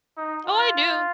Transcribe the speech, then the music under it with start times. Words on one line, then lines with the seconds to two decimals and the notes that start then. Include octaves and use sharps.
Oh, I do,
0.17 D#4
0.45 F4